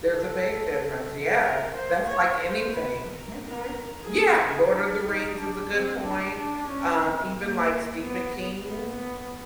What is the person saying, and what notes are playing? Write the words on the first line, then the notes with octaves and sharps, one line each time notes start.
There's a big difference, yeah, that's like anything, mhm Yeah, Lord of the Rings is a good point, um, even like Stephen King's,
A4
A#4
C5
C#5
C5
B4
A#4
A#4
G#4
D4
D#4
D4
C4
D4
D4
C#4
C4
A#3
B3
B3